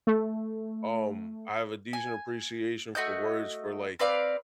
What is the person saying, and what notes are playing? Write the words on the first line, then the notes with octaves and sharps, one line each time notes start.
Um, I have a decent appreciation for words for, like
A3
G#5
A3 F#4 D#5 G6
C4 B4 D5 F5